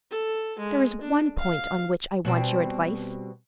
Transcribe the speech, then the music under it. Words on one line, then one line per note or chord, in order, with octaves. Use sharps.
There is one point on which I want your advice.
A4
G#3
D4
F5
B2 G3 C4